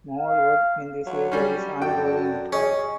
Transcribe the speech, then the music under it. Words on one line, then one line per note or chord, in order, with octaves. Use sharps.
More work in this area is ongoing.
F5
F#3
G3 C#4
F#2 F#4 A4 D5 G5
C#4 G#4 D#5